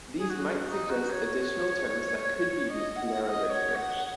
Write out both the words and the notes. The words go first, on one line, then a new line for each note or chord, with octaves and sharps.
These might suggest additional terms that could be used to narrow their search.
G#4
F#4
F#4
D#4
F#4
C#5
D#5
F#5
F#5
D#5
C#5
F#5